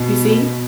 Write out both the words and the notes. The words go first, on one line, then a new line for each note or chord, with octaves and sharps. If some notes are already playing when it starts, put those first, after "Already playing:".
you see?
Already playing: B2